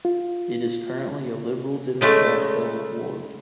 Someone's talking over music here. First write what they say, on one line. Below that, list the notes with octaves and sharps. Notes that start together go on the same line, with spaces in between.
It is currently a Liberal Democrat held ward.
F4
C#3 G#3 A3